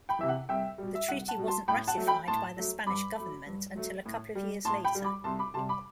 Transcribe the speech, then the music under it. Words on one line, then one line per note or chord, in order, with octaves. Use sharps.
The treaty wasn't ratified by the Spanish government until a couple of years later.
G5 B5
C3 E3 E5
F#5
C2 E5 G5
B2 G3
E5
C2 F#5
F#5 A5
B2 G3
A5 C6
A2 G5 B5
F#5 A5
F#3 A3
G5 B5
A2 A5 C6
F#3 A3
G2 B5 D6
F#3 A3
G2
F#3 A3
A2
G3
A2 A5 C6
G5 B5
G3
B5 D6
C2 A5 C6
B5 D6
C3 G3 A5 C6
B5 D6